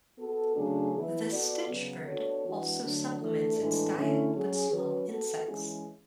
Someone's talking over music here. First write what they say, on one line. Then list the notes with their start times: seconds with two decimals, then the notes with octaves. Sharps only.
The stitchbird also supplements its diet with small insects.
0.18 B3 F#4 A4
0.55 C#3 F#3 A3 D4 G#4
0.94 E3 B3 E4
1.31 B3 F#4 A4 D5
1.69 C#3 F#3 B3
2.06 B3 D4 F#4 A4 C#5
2.44 E3 G#3 D4 F#4 B4
2.82 D3 F#3 A3 D4
3.20 E3 A3 D4 A4
3.57 A2 E3 G#3 D4 A4
3.95 D3 A3 C#4 E4
4.33 F#3 C#4 G#4
4.70 F#3 C#4 F#4 B4
5.08 B3 F#4 A4
5.46 E3 G#3 C#4 E4 G#4